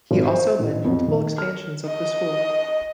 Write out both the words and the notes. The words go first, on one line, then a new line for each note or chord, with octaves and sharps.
He also led multiple expansions of the school.
G#1
C5
A1
F2
D#3
F6
D#5